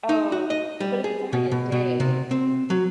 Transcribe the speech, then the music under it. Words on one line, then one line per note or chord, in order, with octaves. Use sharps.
oh, but if it's only a day.
D#4
F#4
D#5
G3
G#4
B2
B2
B2
C3
C4
F#3